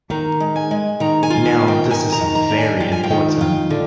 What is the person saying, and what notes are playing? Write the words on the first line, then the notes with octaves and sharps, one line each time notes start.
Now this is very important.
D#3 A#5
G#3
G#5
G#3
D#3 A#5
G#5
F4
G#5
D#3
G5
D#3 G#5
A#5
D#3
A#5
D4
G#5
F4 G5
G#5
G5
D#3
F4
D3